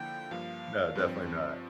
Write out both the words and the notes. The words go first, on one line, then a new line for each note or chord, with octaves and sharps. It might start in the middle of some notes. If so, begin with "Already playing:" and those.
no, definitely not,
Already playing: D3 F3 A#3 E4 G5
G2 F3 A#3 F5
G2 F3 C4